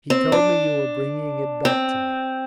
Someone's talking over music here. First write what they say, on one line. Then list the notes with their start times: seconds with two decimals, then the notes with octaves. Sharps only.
"He told me you were bringing it back to me."
0.10 C4
0.32 D4
1.65 C4